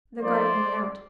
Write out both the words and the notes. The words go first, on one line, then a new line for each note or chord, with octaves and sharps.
The garden went out.
F3 A#3 D#4 C5 D5